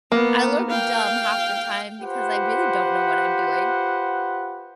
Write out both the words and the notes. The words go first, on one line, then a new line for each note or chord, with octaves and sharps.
I look dumb half the time, because I really don't know what I'm doing,
A#3 B3
F5 G5
F4 G4 B4 C5 F#5